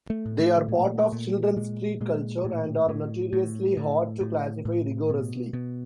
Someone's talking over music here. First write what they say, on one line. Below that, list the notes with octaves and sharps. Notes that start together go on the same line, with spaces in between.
They are part of children's street culture, and are notoriously hard to classify rigorously.
A3
A2
A3
A#2
A#2
A#2 G#3
A#2 G#3
A2
A2
A2
A2
A2
A2
B2
B2